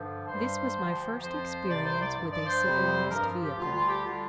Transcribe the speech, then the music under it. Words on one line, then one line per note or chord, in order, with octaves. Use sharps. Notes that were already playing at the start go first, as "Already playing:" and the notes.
This was my first experience with a civilized vehicle.
Already playing: G2 D3 F3
G2 G3 C5
D2 D3 F3
F2 F3 C5
C2 C3 G3 D5
C5
D5
G2 F3
D5
C5
F2 C3 G3
G2 F3 A#4
G4
D2 D3 G3 F4
F4
G4
D3 G3 F4